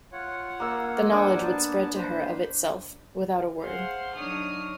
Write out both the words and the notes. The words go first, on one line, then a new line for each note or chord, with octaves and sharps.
The knowledge would spread to her of itself, without a word.
F4 C#5 F#5
A#3 E6
D4 C5 F#5 G#5 D6
B3 A5
B4 C5
G#4 C5 F5 F#5 C6
F#3 D4 D#4 C#5 D#6 F6